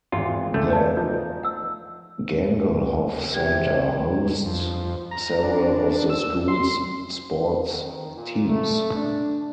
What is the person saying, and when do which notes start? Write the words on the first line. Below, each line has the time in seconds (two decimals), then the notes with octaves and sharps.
The Gangelhoff Center hosts several of the school's sports teams.
0.12 G#1 E2 F4 F#4
0.54 E2 A3 G6
0.73 D5 F5 A5
0.97 F3 D#4 G6
1.43 F#5 E6
3.33 C3 G4 G#6
4.46 F2
5.11 A#5
5.43 D4
6.10 E6
6.48 C6
7.71 D#3
8.16 A#2
8.48 A3
8.95 D4